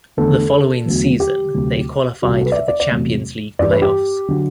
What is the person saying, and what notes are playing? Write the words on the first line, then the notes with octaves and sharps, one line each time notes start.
The following season, they qualified for the Champions League play-offs.
E2 D3 A3 A4
E2 D3 F#3 A3
G4
D2 C3 F#3 A3
C2 C3 G3 F#4
F#4
A4
B4
D5
E5
D5
D5
E2 C3 F#3 A3
G2 E3 G3 D5
B4
G4
D3 F#3